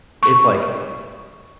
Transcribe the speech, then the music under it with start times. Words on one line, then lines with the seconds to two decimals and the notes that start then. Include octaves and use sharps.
it's, like,
0.23 C#6